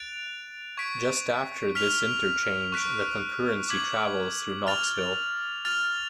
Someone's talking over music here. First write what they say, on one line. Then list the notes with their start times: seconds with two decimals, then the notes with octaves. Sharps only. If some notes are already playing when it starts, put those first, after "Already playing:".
Just after this interchange, the concurrency travels through Knoxville.
Already playing: F#6 A6 D7 F7
0.77 C#6 G#6 B6 D7
1.75 F6 B6 F7
2.72 C#6 F#6 B6 D7
3.69 D6 G#6 B6 F#7
4.67 F6 A6 F7
5.65 F6 A6 F7